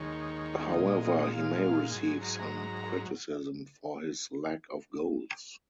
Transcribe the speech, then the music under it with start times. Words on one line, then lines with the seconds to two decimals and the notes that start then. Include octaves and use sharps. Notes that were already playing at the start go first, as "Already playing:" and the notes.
However, he may receive some criticism for his lack of goals.
Already playing: D#2 D#3 G#3 C#5
0.76 A#2 G#3 D#5
1.33 F5
1.63 F5
1.92 G#2 F#3 G#5
2.21 A#5
2.30 G#5
2.39 A#5